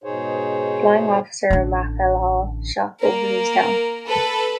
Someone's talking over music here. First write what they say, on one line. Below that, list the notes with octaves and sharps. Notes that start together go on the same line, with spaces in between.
Flying Officer McElhaw shot both of these down.
G#2 B2 D#4 G#4 C5 C#5
A1 D3
A#3 A#4
A4 B4